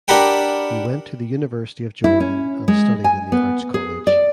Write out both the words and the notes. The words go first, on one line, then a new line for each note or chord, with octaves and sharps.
He went to the University of Jordan and studied in the Arts College.
D4 G4 A#4 B4 F#5 G5
E4
C#4
G#3
G#5
B3
G#4
D5